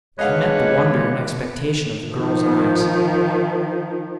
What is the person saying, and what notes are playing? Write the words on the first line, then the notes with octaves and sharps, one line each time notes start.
He met the wonder and expectation of the girl's eyes.
B1 G#3 D4 B4 C#5 D#5 F5 F#5
D#3 F3